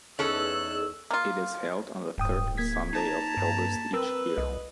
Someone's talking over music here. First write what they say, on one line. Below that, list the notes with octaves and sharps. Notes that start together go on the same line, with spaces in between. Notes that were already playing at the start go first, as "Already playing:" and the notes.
It is held on the third Sunday of August each year.
E2 C#4 D#4 G#4 A4 D#5 E6 F#6
A#3 F4
D1 G2 G5 D#6
A#3 G#6 B6
D#4 A5 A#5
G2
C4 A#4 B4 E6
C2 D#5